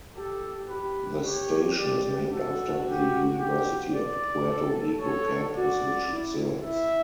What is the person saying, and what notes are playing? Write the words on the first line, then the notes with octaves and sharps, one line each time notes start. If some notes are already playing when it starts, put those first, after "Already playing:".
The station is named after the University of Puerto Rico campus which it serves.
G4 A4
G4 B4
G4 C#5
G4 D5
F#4 A4
G4
G4
D5
A4
A4 C#5
F#4 D5
E4
E4 E5